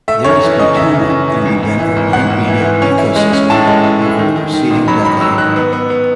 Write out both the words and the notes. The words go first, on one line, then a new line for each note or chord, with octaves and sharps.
There has been tumult in the Denver print media ecosystem over the preceding decade.
A3 E5
F#2 C#5
E3
C#3 D#5
C#3 E5
E3
F#2
E3
G#1
G#1
E3
G#1
G#1 F#5
G#1
E3
E3
C#4
E4
G#3
C#4
A2 A5
G#3
E4
A2
D#3
D#3
D#3
A1
F#3 B5
G#2 B5
F#3 E6
D#3 F#6
B3
B3
B3